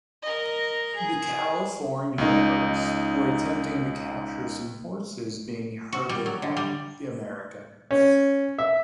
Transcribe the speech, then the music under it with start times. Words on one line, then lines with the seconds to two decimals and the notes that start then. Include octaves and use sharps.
The Californios were attempting to capture some horses being herded by the Americans.
0.22 A#4 D#5
0.95 G#4
2.18 C#2 D#4
5.93 F#4
6.09 G3
6.26 F#3
6.42 D3
6.57 G3
7.91 C#4
8.58 E5